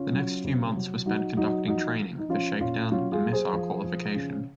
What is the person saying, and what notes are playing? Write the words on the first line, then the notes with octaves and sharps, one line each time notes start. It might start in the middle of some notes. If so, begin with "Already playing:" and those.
The next few months were spent conducting training for shakedown and missile qualification.
Already playing: C#3 C#4 F4
F#3
C3
F#3
F#3 D#4 F#4
F#3 D#4 F#4
F3 D#4 F#4
F3
D#4
F3 C#4 F4
A#2 C#4 F4
F#3 C#4 F4
F4 G#4
F#3
G#4 C5
F3
F3
C#3